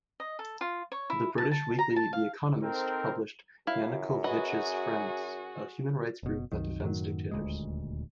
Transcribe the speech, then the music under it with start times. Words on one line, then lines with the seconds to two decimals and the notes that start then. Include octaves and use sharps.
The British weekly "The Economist" published "Yanukovich's friends: A human-rights group that defends dictators".
0.20 D#5
0.39 A4
0.61 F4
0.92 C#5
1.10 E4
1.38 A5
1.51 A5
1.79 A#5
1.96 A5
2.13 F5
2.62 C4 D#4 A4 A#4 C5 G5
3.67 F#2 E4 F5
4.24 F#4 G#4 B4 D#5
6.23 F#1 B2
6.52 C2 F#2 D#3
6.81 F#2 A2 D#3 F#3
7.31 D#1 D2 A#2 G#3